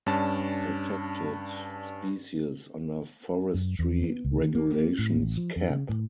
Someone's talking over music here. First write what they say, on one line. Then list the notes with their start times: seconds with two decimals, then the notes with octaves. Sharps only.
Protected Species under Forestry Regulations Cap.
0.06 G2 C#4 D4 A5
3.54 F#2
3.79 E2
4.02 B3
4.25 C#2
4.41 D#3
4.55 A#3
4.99 A2
5.16 A1
5.37 F3
5.56 F2
5.70 C#3
5.89 A2